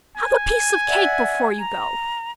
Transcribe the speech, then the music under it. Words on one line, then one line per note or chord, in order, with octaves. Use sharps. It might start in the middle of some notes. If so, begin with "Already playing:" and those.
Have a piece of cake before you go!
G#5
D5 E5 F#5
A#5